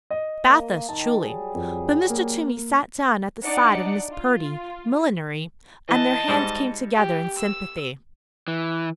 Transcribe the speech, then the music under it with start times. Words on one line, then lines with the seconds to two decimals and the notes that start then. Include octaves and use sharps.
Bathos, truly; but Mr. Toomey sat down at the side of Miss Purdy, millinery, and their hands came together in sympathy.
0.10 D#5
0.45 A#3
0.89 D#3 A5
1.21 F#3 G3 G#4
1.55 F2
2.10 A#3
3.42 D4 D#4 D5 F#5 C#7
4.11 F4
5.89 E3 D#5 A5
6.28 G#2 G3
6.95 G4
7.37 E6
8.48 E3